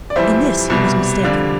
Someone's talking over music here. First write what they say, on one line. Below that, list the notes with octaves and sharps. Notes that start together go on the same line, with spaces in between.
In this he was mistaken.
D5
F2 E3 G3 C5 E5
C2 B2 G3
F2 D3 G3 D5 F5